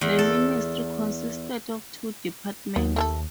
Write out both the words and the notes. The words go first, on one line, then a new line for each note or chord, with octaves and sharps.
The Ministry consisted of two departments.
E2
A4
D#2 B3
A3 G#4 A4